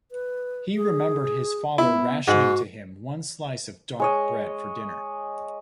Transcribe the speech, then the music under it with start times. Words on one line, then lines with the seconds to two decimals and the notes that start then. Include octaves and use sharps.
He remembered his father rationing to him one slice of dark bread for dinner.
0.12 B4
0.75 G#4
1.78 B3 E4
2.27 G#2 F#4
4.00 G#3 C#5 D#5